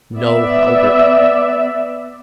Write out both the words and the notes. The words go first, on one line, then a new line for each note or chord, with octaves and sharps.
No, Halbert!
B3 D5 E5